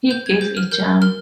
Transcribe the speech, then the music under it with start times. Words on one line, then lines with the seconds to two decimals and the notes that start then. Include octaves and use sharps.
He gave a jump.
0.11 C5 G6
0.26 G#6
0.41 C5 G6
0.57 F6
0.71 A#4 G6
1.02 A#4 F6